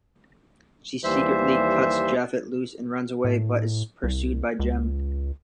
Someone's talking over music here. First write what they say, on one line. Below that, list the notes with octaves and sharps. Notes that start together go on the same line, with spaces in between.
She secretly cuts Japhett loose and runs away, but is pursued by Jem.
D#2 E3 G3 C5 E5
A2
C2
C#2